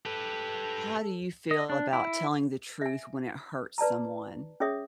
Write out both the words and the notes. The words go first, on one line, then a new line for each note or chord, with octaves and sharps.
How do you feel about telling the truth when it hurts someone?
G4 A4 B4
D#5
D4
E4
E5 G#5
B4 D5 A5 A#5
C#4 G#4 C#5 E5 D#6